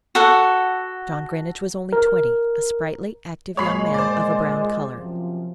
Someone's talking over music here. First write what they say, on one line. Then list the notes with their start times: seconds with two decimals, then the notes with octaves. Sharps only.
John Grinage was only twenty, a sprightly, active young man, of a brown color.
0.15 F#4 A4 F#5
1.93 A#4
3.57 A#2 G#3 C#5 D#5 B5 C7
3.94 C5 D5
4.95 F#2 C3 F3